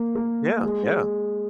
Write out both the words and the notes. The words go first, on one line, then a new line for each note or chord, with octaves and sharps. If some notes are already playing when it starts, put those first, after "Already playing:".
Yeah, yeah.
Already playing: A#3
A#3
G#3